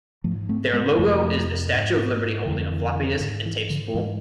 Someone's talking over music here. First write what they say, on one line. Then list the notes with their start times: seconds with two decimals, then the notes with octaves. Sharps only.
Their logo is the Statue of Liberty holding a floppy disk and tape spool.
0.24 G#2 F3 A3
0.49 A3 C4
0.73 G#3 B3
0.98 F2 C3 F3 A3
1.73 G#2
2.46 F2 D3 E3
2.71 E3
2.96 E3
3.20 G#2 D3
3.45 E3
3.70 D3 F3
3.94 G#2 E3 G#3